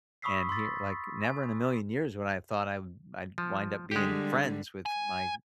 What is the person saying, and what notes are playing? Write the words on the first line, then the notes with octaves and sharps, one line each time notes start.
And he like, never in a million years would I have thought I'd I'd wind up being friends with my,
B5 C#6 D#6 E6 B6 C7
C6 E6 A6 B6
G#5
F3
D3 G3 G#3 G4
G#5